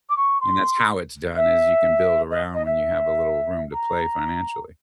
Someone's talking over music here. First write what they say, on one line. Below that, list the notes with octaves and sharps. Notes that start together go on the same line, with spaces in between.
and that's how it's done, is you can build around when you have a little room to play financially.
D6
C#6
C6
E5
D#5
D#5
E5
A#5